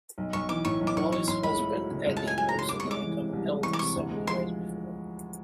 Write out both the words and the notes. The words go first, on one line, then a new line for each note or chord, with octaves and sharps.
Molly's husband Eddie also died from an illness several years before.
B1
B1 C#6
E3 D6
A2 C#6
B1
D6
B1 C#6
E3 C#6
A2 C6
C#2 B5
A3
F#3
C#3
C#2
A5
A3
G#5
F#3 G#5
A#5
C#3 C6
C2 D6
C#6
G#3
D6
E3
C3
C2
G#3
E3 C#6
D6
C3 C#6
D2
G#3
F3 C6